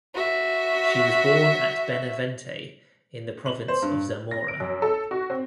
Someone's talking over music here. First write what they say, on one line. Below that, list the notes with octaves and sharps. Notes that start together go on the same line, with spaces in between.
She was born at Benavente, in the province of Zamora.
F#4 E5
F#7
C5
G2
A#6
D7
F#2
A4
F#4
C4